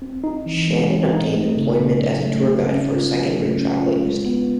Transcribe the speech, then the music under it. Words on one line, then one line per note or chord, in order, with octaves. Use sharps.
Shannon obtains employment as a tour guide for a second-rate travel agency.
C4
D#4
E3
G#3
C4
D#4
A3
C#3
C#3
F#3
A3
C#3
C#4
F4
F#3
A3
C#4
F4
G#3
B3